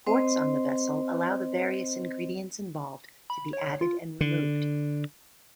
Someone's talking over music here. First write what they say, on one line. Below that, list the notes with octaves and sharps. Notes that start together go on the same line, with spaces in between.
Ports on the vessel allow the various ingredients involved to be added and removed.
C4 C5 D#5
B5
C#5
F4
D3